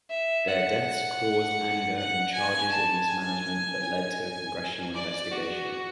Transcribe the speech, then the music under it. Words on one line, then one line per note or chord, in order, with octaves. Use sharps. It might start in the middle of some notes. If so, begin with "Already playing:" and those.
Their deaths caused anger and charges of mismanagement that led to a Congressional investigation.
E5
F#5
F#5
G#5
A5
G#5
G#5
D5
F#4